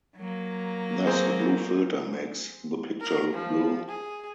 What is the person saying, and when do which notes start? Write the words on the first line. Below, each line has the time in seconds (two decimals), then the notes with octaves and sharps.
Thus a blue filter makes the picture look blue.
0.17 F#3 A#3
1.07 C4 G#4 C5
3.01 A#4
3.33 F3
3.88 G#4